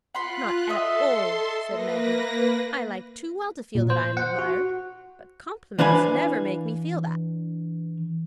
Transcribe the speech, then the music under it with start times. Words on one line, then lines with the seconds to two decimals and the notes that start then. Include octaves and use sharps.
"Not at all," said Maggie; "I like too well to feel that I am admired, but compliments never make me feel that."
0.15 F4 F#5 B5 C6 F#6
0.69 A4 D#5 E5 C6
1.67 A#3 B4 A#6
3.75 A#2
3.90 C5
4.17 F#5
4.39 F#4
5.78 E3 D4 B4 F5 G#5 B5